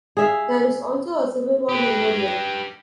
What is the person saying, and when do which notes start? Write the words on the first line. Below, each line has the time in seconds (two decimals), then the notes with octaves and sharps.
There is also a Civil War memorial.
0.17 G#4 E5 F5
1.69 G4 B4